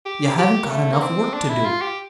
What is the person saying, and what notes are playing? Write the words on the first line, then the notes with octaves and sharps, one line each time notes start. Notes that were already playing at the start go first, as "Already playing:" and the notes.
You haven't got enough work to do.
G4
G4
A#3
A3
A#3
C4
D4
E4
F4
G4